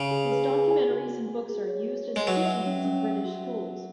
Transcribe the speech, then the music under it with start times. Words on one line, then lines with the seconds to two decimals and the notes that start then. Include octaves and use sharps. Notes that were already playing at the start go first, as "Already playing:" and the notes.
His documentaries and books are used as teaching aids in British schools.
Already playing: C#3
0.11 G#4
0.32 B4
0.50 G#4
0.71 G#5
0.90 F#4
1.09 F#4
1.29 F#4
1.49 G#4
1.67 C#5
1.88 C#5
2.08 C#5
2.16 G#3
2.27 F#3 B4
2.46 E5
2.66 C#4
2.85 C#4
3.05 E5
3.25 F#4
3.44 F#4
3.64 F#4